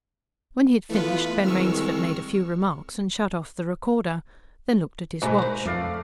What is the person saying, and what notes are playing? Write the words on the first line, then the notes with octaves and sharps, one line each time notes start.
When he had finished, Ben Rainsford made a few remarks and shut off the recorder, then looked at his watch.
E3 A3 B3 F4 B4
C2 D#3 G#3 C#6 E6 F6
B1 G#2 A3 F#4 B4 D5
A#4 C5
F2 A3 D5 F5